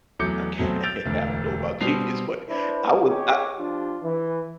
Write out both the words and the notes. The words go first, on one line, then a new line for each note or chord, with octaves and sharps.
Okay, I don't know about genius, but I would I
E2 F#3 A3 D6 G6 C#7
B2 F#3 A3 C4
E6 G6 A6 D7 F7
E1 D2
B2 G3 C4 C7 F7
D4 E4 B4 C5
G4 G#4 C#5 D#5
F3 D4 F4 G4
E3